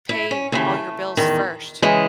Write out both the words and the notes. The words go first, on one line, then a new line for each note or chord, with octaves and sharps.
pay all your bills first
E4
C#4
D#2 C#3 E3 A3
E2 D#3
C#3 E3 G#3